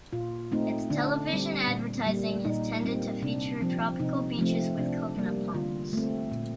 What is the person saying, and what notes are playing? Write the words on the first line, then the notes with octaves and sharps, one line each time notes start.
Its television advertising has tended to feature tropical beaches with coconut palms.
A#2 F4
A3 C4 D#4
D3 D4
G3 C4
A#2
G3 A#3
A#2 D#4
G3 A#3 C4
C3 D4
F3 C4
C3 D#4
F3 A3 C4
C3 D4
G3 A#3
D3 F4
A3 C4
A#2